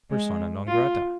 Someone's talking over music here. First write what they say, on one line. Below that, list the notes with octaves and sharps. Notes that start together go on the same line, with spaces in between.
Persona non grata.
G#3
F4